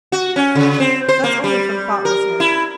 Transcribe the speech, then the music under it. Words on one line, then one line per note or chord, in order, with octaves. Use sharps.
That's only from thoughtlessness.
F#4
C#4
C#3
C4
C5
A#3
G3
A#4
E4